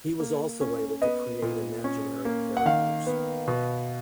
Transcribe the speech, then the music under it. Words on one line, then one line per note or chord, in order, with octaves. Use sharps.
He was also able to create imaginary characters.
A#3
C#4
B3 D#5
A#2
C#4
A#3
F#5
D#3 F5
B3
B2